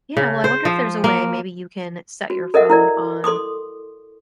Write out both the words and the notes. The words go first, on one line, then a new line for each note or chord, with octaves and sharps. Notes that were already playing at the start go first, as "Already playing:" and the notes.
Yeah, well, I wonder if there's a way maybe you can set your phone on
C#3
C5
F3
A#3
F#4
A4 A#4 D#5 E5 F#5
E4 A#4 D5
A4 C6 D6 D#6